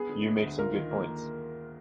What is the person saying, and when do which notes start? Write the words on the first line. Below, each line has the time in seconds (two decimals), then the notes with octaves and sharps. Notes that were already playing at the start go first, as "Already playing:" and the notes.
You make some good points.
Already playing: B3 G#4
0.09 D3
0.26 G#3
0.42 D2
0.59 F4 A#4
0.75 D#3
0.91 A#3